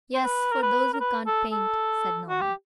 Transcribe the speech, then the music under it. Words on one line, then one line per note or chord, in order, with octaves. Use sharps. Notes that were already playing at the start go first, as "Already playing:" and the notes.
"Yes, for those who can't paint," said Naumann.
C5
B4
A#4
B4
A#4
B4
A4
A4
F#4
G4